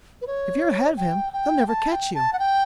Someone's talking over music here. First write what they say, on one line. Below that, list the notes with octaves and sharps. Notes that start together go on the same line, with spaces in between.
If you're ahead of him they'll never catch you.
B4
C#5
G5
G5
A5
G5
A5
F#5
G5